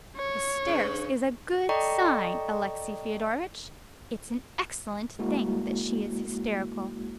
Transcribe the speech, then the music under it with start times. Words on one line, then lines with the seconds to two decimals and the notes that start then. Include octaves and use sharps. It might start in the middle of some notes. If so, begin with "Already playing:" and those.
Hysterics is a good sign, Alexey Fyodorovitch; it's an excellent thing that she is hysterical.
0.16 C#5
0.66 G2 C#3
1.69 A4 D5 D#5 G5 A#5 C#6
5.19 G#3 A#3 E4 F#4